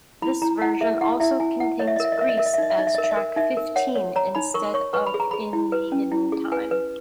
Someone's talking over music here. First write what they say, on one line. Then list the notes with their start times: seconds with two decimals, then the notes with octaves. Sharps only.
This version also contains "Grease" as track fifteen, instead of in the hidden time.
0.22 E4 B5
0.42 E4 A#5
0.61 E4 F#5
0.81 G#4 E5
1.01 E4 F#5
1.20 E4 E5
1.40 E4 G#5
1.60 E4 F#5
1.79 C#5 D#5
1.88 E5
1.96 D#5
2.00 A#4 E5
2.12 D#5
2.18 A#4 E5
2.29 D#5
2.38 A#4 E5
2.46 D#5
2.54 E5
2.58 D#4 D#5
2.70 E5
2.78 D#4 D#5
2.87 E5
2.95 D#5
2.98 A#4
3.04 E5
3.11 D#5
3.17 A#4
3.36 D#4 E5
3.57 A#4
3.76 C#5 F#5
3.95 C#5
4.16 C#5 A#5
4.35 D#4 B5
4.54 A#4 C#6
4.74 C#5 C#6
4.94 B4 C#6
5.06 B5
5.14 G#4
5.20 A#5
5.31 G#4 B5
5.53 E4
5.72 B4
5.92 C#4
6.12 E4
6.32 G#4
6.52 B4 G#5
6.71 B4